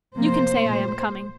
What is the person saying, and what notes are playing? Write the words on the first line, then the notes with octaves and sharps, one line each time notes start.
You can say I am coming.'
C3 F3 A#3 C5
A#2 A3